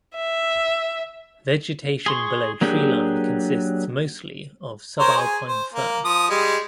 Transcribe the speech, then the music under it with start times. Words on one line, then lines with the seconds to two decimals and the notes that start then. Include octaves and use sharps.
Vegetation below treeline consists mostly of subalpine fir.
0.16 E5
2.06 G#4 C6 C#6
2.61 F#3 A#3 D4 G4 G#4
4.99 A#4 C5 C#5
5.17 G#4
5.48 C5
5.74 A#3
6.05 F3 D#6
6.30 G3 G#3